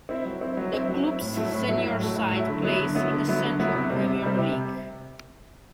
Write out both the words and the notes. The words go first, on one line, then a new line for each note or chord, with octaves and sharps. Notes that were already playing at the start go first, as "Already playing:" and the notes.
The club's senior side plays in the Central Premier League.
C4 E4
F#3
C4 E4
F#3
C4 E4
F#3
C4 E4
A2
F#3 A3 E4
A2
F#3 A3 E4
A2
F#3 A3 E4
A2
F#3 A3 E4
D3
F#3 B3 E4
D3
F#3 B3 E4
D3
F#3 B3 E4
D3
F#3 B3 E4
C3
G3 C4
C3
G3 C4
C3